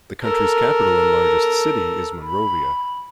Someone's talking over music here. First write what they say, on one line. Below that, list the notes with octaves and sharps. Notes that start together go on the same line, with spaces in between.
The country's capital and largest city is Monrovia.
A4 A#4
B5